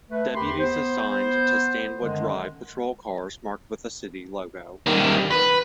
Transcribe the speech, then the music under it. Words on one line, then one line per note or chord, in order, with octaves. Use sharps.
Deputies assigned to Stanwood drive patrol cars marked with the city logo.
A3 B4
E2 G4 A#4 B5 C6
B3 C5
F#2 D3 D#3 G#3
D#3 G3
B4